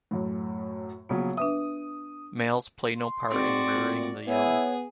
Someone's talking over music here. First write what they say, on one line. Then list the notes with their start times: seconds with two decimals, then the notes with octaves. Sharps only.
Males play no part in rearing the young.
0.11 F#2 A2
1.09 A#1 C#3 F#3 B3
1.37 D4 B4 E5 D#6
2.95 C6
3.31 G#2 C4 F#4 D5
3.73 A#2
4.28 B3 E4 G#4 C#5